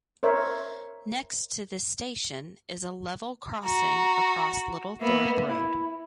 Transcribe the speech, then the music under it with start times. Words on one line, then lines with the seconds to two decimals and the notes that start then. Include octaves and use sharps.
Next to the station is a level crossing across Littlethorpe Road.
0.23 A#4 C5 C#5 E5
3.64 F#4 A#5
5.00 A#3 B3 E5
5.49 E4